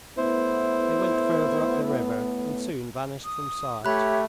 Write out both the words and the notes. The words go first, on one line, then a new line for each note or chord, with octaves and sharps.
They went further up the river and soon vanished from sight.
A2 A3 B3 E4 C5
D#6
A3 G4 C#5 E5 B5 F#6